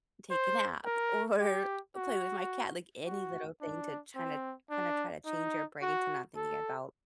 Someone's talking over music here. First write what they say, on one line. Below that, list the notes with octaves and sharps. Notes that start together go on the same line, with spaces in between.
take a nap or play with my cat", like any little thing to try to kinda try to change your brain to not thinking about
C5
A#4
G4
F#4
F#4
D4
C4
D4
D#4
F#4
A4